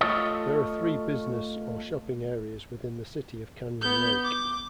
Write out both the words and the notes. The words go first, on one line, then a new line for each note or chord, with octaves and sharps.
There are three business or shopping areas within the City of Canyon Lake.
A3 F4 A4 C#5 D#5
B3 G6
D6